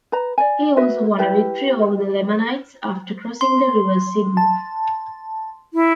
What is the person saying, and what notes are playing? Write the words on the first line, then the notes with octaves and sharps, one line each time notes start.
He also won a victory over the Lamanites after crossing the river Sidon.
B4 A#5
D5 G#5
F#4 B4 E5
E4 G4 B4 E5
C6
A5
E4